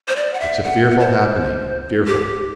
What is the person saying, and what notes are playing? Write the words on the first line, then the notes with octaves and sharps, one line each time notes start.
"It's a fearful happening, fearful."
C5
D5
F#5
E5
F#5
C5
G4